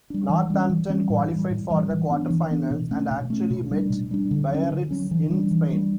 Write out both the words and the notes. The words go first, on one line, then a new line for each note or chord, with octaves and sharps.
Northampton qualified for the quarter-finals and actually met Biarritz in Spain.
G3 D4
E3
G3 C#4
E3
G3 C#4
A2
E3 G3
A2
E3 G3
E3
B3 D4
E3
B3 D4
B2
A3 C#4
B2
A3 C#4
B2
G3 D4
B2
G3 D4
D3
F#3 C#4
D3
F#3 C#4
E3
G3 D4
E3
G3 D4